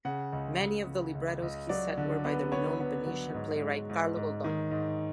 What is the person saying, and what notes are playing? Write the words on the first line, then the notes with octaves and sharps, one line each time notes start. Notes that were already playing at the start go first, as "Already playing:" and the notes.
Many of the librettos he set were by the renowned Venetian playwright Carlo Goldoni.
C#3 F#5
C#2
C#2
C#3
C#2
C#2
F#3 D5
D3
B3
B3 C#5
B3
F#3
G#2
G#3
G#2
G#2
D#3
G#2